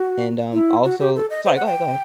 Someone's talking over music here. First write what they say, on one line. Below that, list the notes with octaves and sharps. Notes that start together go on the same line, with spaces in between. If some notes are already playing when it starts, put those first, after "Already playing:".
and, um, also sorry, go ahead, go ahead.
Already playing: F#4
E4
F#4
G4
A4
D#5
C5
F#5
G5